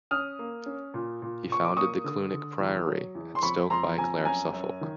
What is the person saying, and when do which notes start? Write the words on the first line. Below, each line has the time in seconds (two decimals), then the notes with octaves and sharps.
He founded the Clunic priory at Stoke-by-Clare, Suffolk.
0.11 C#4 D#6 F6
0.39 A#3
0.66 C#4
0.94 A#2
1.22 A#2
1.49 A#2 C#6
1.64 D6
1.77 A#3 C#6 D#6
2.04 D3
2.32 D3
2.60 E2
2.87 F#3
3.15 E2
3.35 C6
3.43 F2 B5 C#6
3.70 F2 A#5 C6
3.98 F2 G#5 A#5
4.25 F#2 G#5 A#5
4.53 F#2
4.81 D#3